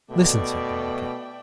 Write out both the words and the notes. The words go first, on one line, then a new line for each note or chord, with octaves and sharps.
"Listen," said the monkey.
B2 A3 D5 E5 G5